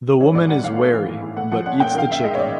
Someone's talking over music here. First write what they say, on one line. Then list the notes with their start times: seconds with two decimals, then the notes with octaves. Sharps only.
The woman is wary, but eats the chicken.
0.20 E3 C#5
0.35 G#2 D5
0.49 G3 F#5
0.63 G#1 F5
0.79 A3
0.93 E3
1.08 A2
1.22 A2
1.37 A3 F#5
1.52 F3 F#5
1.66 C#4 F#5
1.80 A#2 G5
1.95 D#3 F5
2.09 F#2 E5
2.24 G#3 D#5
2.35 C#5
2.39 D5